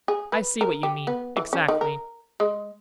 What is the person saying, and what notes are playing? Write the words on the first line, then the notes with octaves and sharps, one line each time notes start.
I see what you mean, exactly.
G#4
B4
A#4
G4
B3
E3
C#4
D#3
A#4
G#3